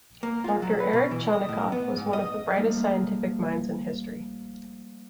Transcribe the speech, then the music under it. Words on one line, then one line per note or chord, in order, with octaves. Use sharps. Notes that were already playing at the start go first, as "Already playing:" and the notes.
Doctor Eric Chanikov was one of the brightest scientific minds in history.
A#3
F4
F#3
B4
B2
E3
D#5
A2
B3
G#2
D#5
F3 G3 A3 A#3 D#4